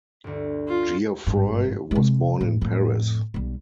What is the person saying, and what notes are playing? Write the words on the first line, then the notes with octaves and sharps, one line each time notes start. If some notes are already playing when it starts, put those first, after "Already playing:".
Geoffroy was born in Paris.
G1 D2
F4
G#1 G2
C3 G#3
A2
F2 A2
B1 G3